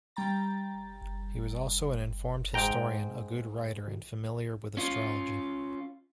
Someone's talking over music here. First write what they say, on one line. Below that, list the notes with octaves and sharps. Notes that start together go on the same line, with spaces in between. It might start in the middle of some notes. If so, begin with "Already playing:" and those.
He was also an informed historian, a good writer and familiar with astrology.
G3 G5 A#5 A6
G#2 G5 A#5
C#4 F4